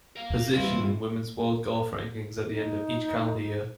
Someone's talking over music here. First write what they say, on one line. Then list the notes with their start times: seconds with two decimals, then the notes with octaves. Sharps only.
Position in Women's World Golf Rankings at the end of each calendar year.
0.16 A#4 F5
0.53 E2 A#2 D#3 E3 G3 C4 E4 F4
2.49 D#4